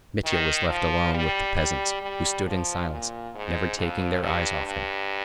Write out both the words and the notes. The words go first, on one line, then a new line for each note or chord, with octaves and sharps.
Mitya was left alone with the peasants, who stood in silence, never taking their eyes off him.
D#3
F3
G3
G3
G3
F3
A#2
G#2
F2
G2
G2